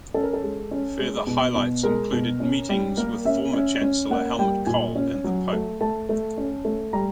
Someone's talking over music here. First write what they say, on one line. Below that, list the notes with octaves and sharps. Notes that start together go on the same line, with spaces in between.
Further highlights included meetings with former Chancellor Helmut Kohl and the pope.
C#4 A4
A#4
A4
G#3
C#4
G#3
B2
B2
G#3 A#4
B2
C#4
G3
A#3 A#4
C#4 E5
C#4
C#4
A#3 F#5
G3 G5
A#2 G#5
C#4
F#3
A3
A3 A5
A3
C#4
A3
G3 A#5